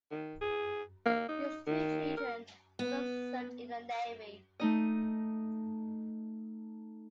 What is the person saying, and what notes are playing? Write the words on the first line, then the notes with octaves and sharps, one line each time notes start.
His two children also served in the Navy.
D#3
G#4
A#3
D#4
D#3
A#4
B3
A3 D#4 D#5